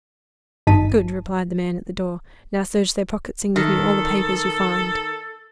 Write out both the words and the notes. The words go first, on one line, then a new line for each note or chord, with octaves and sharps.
"Good!" replied the man at the door; "now search their pockets and give me all the papers you find."
G#1 G2 D#4 A5 B6 D#7
D#3 A4